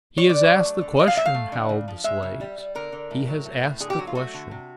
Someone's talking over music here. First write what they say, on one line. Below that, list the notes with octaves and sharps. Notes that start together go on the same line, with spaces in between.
"He has asked the question!" howled the slaves--"he has asked the question!"
C#5
D3 D5
F#3
A3
D3
D3 D#5
F5
F#3 E5
F5
A3
D3
C#3
F3
G#3 E5
C#3
G3
G3
D3 A#4
D3
A2
F#3
A3
A2
D3 G#4
G4
F#3 F#4
F4
A3 F#4
D3
C3